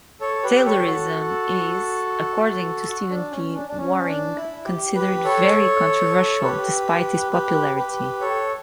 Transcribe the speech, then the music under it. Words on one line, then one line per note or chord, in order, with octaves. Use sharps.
Taylorism is, according to Stephen P. Waring, considered very controversial, despite its popularity.
A4 C#5
G4 B4
A4 C#5
F#4 A4
F#4
D4
C#4
D4
D4
C#4
D4
E4
G4
G4 B4
A4 C#5
G4 B4
G4 B4
G4 B4
A4 C#5